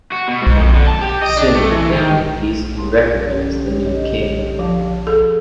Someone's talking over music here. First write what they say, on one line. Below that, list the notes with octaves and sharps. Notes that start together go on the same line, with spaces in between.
Soon they made peace and recognised the new king.
F#4
B2
G#2
F2
D3
A5
G4
D#5
D4
A3
E3
D#3
C#3 A#3 G4 A5 C6
D3 F3 C#4 G4 C#5
C#5 D#5
F3 F5 A5
G#4 A4